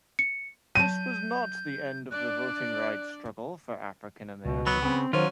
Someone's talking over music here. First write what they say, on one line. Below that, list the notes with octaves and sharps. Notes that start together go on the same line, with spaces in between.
This was not the end of the voting rights struggle for African Americans.
C#7
F#3 A5 G6 D#7
D4 D5 F#6
C#2 B2
F#3 B3
C#3 C4
D#3 F#3 C#4 F4 C5